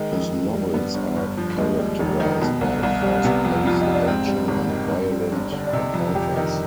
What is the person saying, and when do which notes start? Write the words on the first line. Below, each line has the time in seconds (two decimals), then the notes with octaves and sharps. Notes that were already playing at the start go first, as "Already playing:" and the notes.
His novels are characterized by fast-paced action and violent encounters.
Already playing: D#3 G#3
0.12 F2
0.32 F2
0.53 G3
0.74 G2 B3
0.95 G1
1.17 G1
1.37 F3
1.58 D#2 G#3
1.79 G3
1.99 F1
2.20 D#3
2.41 B2
2.61 C2
2.83 C2
3.03 G3
3.24 C3 B3
3.45 F2
3.66 F2 F4
3.81 D#4
3.86 G3
3.94 D4
4.07 G#2 C4
4.27 G3
4.48 G#1
4.69 D#3
4.91 G2
5.11 G3
5.32 G1
5.52 D3
5.67 D4
5.73 C3 D#4
5.94 F2
6.15 F2 G4
6.36 D#3